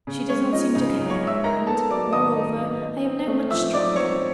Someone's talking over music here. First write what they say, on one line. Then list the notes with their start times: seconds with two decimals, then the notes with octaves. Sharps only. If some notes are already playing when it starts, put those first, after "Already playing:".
She does not seem to care, and, moreover, I am now much stronger.
0.07 C#3
0.29 G#3 C#4 C#5
0.52 F3 D#4 D#5
0.75 C#3 D#4 D#5
0.98 C#3
1.10 C#5 C#6
1.21 G#3
1.27 E5 E6
1.44 D#4 A#4 A#5
1.67 B3 A4 A5
1.90 F#3 D5 D6
2.12 D#3 D#5 D#6
2.36 D#4
2.59 B3
2.82 D#4
3.05 C4
3.27 A3
3.50 F3 E5 E6
3.73 D#4 D5 D6
3.96 C4 C#5 C#6